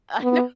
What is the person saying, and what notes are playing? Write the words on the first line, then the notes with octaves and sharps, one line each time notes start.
I know,
B3